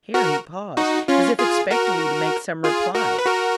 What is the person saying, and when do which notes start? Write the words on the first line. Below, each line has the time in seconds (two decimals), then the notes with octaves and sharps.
Here he paused, as if expecting me to make some reply.
0.14 F#4 A#4
0.77 D#4 F#4
1.08 C#4 F4
1.39 F4 G#4
1.71 F#4 A#4
2.64 F4 G#4
2.95 F#4 A#4
3.18 B4
3.26 F#4 A#4